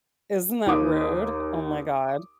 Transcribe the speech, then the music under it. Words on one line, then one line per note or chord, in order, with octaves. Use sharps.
Isn't that rude? Oh my god.
D#2 D#4 D6 D#6